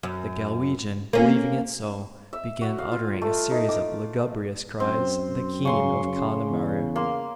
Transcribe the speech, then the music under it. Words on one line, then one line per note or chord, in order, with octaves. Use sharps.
The Galwegian, believing it so, began uttering a series of lugubrious cries--the "keen" of Connemara.
F#2
A#3 C#4
E5
F#4
F5
F4
A3
D#4
D6
F#2 C4
C#3 G#5 C6 C#6
C#3
E2
A#3 C6